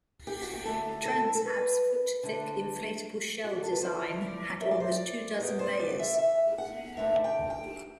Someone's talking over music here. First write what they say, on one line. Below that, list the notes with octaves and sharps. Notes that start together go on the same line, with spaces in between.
TransHab's foot-thick inflatable shell design had almost two dozen layers.
G4
F#4
G4
D3 F#3 A3 A4
A4
A4
B4
D3 A3 D4
F#4
G4
A4
B4
D3 G3 C4 E4 C5
D5
E5
D5
C5
D5
F#2 F#3 B3 G4
C5
D5
E5
E5
F#5
G2 D3 A3 D4 E5
G5
G5